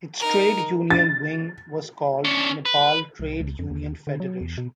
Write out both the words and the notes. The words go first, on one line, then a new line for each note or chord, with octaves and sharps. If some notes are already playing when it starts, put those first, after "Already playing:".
Its trade union wing was called Nepal Trade Union Federation.
D#4 A#4
A6
C#4 D4
B4
C2
C#2
F2
D#2
D3
F#3
E2
B2